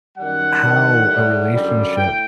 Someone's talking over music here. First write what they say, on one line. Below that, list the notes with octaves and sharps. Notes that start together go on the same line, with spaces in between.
how a relationship
F#2 D#3 G3 F#5
G2 D#3 G3
A2 G3
F#2 D3 G3
A2 G5